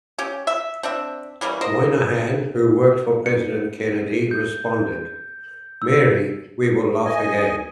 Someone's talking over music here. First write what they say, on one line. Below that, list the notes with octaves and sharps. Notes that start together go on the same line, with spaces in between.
Moynihan, who worked for President Kennedy responded, Mary, we will laugh again.
C#4 G4
E5
C4 D4 E5
E3 G3 A#3 C#4
A#4 C5 D#5
C#7
G6
E6
D#5 G#5